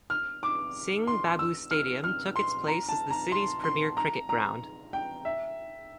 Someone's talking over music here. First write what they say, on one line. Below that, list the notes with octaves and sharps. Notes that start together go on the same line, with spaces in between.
Singh Babu Stadium took its place as the city's premier cricket ground.
F6
D6
C6
E6
F6
F6
C6
A#5
A5
A#5
C6
C6
A#5
A#5
G5
E5